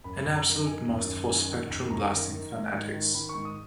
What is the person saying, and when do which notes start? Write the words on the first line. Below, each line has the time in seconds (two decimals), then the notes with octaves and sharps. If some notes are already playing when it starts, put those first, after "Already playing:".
An absolute must for Spectrum blasting fanatics.
0.04 F#2 B5
0.26 F#2
0.36 A#5
0.46 D#3
0.66 D#3 G#5
0.88 F#2
1.09 F#2
1.29 D#3 G#5
1.49 D#3
1.70 F#2
1.90 F#2 A#5
2.11 D#3
2.32 D#3
2.53 G#2
2.73 G#2
2.93 D#3
3.14 D#3 B5
3.29 C#6
3.35 G#2
3.45 D#6